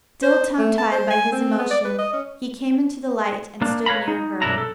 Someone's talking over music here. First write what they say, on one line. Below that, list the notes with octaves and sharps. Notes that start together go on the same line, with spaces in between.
Still tongue-tied by his emotion, he came into the light and stood near her.
C5
A3
A5
C5
G#5
C4
B3
D5
B4
D#5
C#4
A#3 D4
B4 C#5 F5 A#5 B5
D#4
B1 F#2 D4 E4 A#5
A4